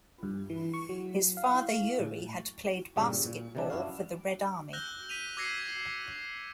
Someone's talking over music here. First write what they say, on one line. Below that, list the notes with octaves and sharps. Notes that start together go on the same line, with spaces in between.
His father Yury had played basketball for the Red Army.
G2
E3
C#6
F#3
F5
A2
G2 A#2 C#3 G3
A#2
C3 D#3 E3 G3 D4
F#2 D4 E4 F#4 F5
E6 F#6 G6 A#6 G7
B6 D#7 F7
D6 E6 G#6 A#6 C7 C#7